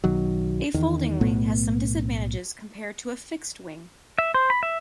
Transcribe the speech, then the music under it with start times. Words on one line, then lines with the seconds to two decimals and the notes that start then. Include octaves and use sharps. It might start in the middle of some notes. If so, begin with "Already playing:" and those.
A folding wing has some disadvantages compared to a fixed wing.
0.04 B1 D#3 F#3
0.74 E2 D#3
1.21 B1 A2 A3 B3
4.18 E5
4.34 C5
4.50 B5
4.63 E5